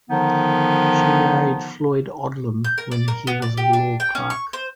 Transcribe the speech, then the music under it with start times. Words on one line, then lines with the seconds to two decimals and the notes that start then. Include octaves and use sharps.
She married Floyd Odlum when he was a law clerk.
0.10 D3 D#3 F3 B3 D#4
2.64 G6
2.78 A#4
2.91 D5
3.08 A#4
3.27 B3
3.42 D5
3.57 G4
3.73 D4
4.00 G5
4.15 C#4
4.30 C#6
4.53 C5